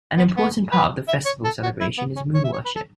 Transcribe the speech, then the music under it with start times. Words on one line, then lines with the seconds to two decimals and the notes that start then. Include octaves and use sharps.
An important part of the festival celebration is moon worship.
0.18 B3
0.37 B3
0.72 B4
1.08 E5
1.26 C#5
1.45 A4
1.63 F#4
1.80 E4
1.98 B3
2.16 C#4
2.34 C#5
2.44 E5
2.53 C#5
2.65 B4
2.76 A4